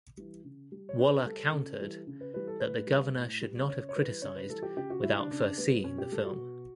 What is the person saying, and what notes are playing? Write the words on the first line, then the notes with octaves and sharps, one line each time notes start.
Waller countered that the Governor should not have criticized without first seeing the film.
E3 G3
C#3
G3
C#5
C#3 B4
G3 A4
C#3
E3 G3
C#3
B4
E3 G3 B4
A4
A2 B4
G3
A2
G3
C#3 C#5
C#5
E3 G3 B4
C#3 C#5
B4
E3 G3 A4
G4
C#3 G4
F#4
G3 E4
D4
C#3 D4
G3 B3
B2 C#4
G4
G3 A4
F#4
B2